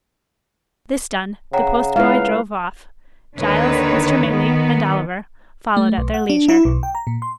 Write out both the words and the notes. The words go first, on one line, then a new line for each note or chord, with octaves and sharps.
This done, the postboy drove off; Giles, Mr. Maylie, and Oliver, followed at their leisure.
C#3 C#5 F#5 G5 A#5
G#3 E4 B4 E5 F5
D#2 D3 D#3 B4 C#5
D#3 B3
A3
B1
F#5
D4
E4
B1
G5
A#5
A#2
C6